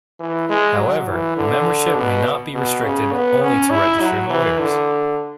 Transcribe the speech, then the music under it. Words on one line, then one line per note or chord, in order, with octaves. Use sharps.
However, the membership may not be restricted only to registered lawyers.
E3
G#3
F#3
E3
D3
B2
B2
C#3
B3
C#4
E4
F#3
E3
D3